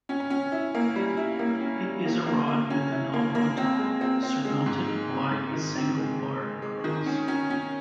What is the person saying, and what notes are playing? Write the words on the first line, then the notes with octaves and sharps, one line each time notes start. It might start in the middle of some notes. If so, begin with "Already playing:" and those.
It is a rod with a knob on top surmounted by a single-barred cross.
C#4
C#4
E4
A#3
G3
E4
A#3
C#4
G3
A#3
A#3
A#3
C#4
E4
A#3
A#3
C4
G#3
C4
C4
G#3
G#2
G#3
C4
G#2
D#3
C4
G#3
G#3
G#3
G#3
D#3
C#4
C#4
C#4